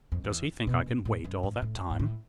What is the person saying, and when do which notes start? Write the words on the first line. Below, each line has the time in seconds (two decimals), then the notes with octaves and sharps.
"Does he think I can wait all that time?"
0.12 F2
0.24 F2
0.29 E2
0.67 B2
0.86 A#2
1.05 A2
1.24 F#2
1.43 G#2
1.62 A2
1.90 G#2
1.99 A2